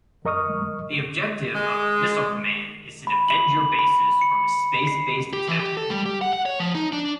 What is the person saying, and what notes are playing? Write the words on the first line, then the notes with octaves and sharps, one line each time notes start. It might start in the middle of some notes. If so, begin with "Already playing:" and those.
The objective of "Missile Command" is to defend your bases from a space-based attack.
F#2 A#4 D#5 C#6 D#6 F6
G#3
B5
F#7
B5
C#7
C7
G4
E3
G4
A4
G3
G4
F#5
F#5
C#5
F3
D#4
D4